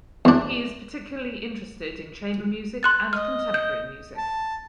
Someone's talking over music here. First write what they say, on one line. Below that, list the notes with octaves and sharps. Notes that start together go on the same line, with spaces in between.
He is particularly interested in chamber music and contemporary music.
E2 D4
C6 F#6 A6
D#5 F6
G6
A5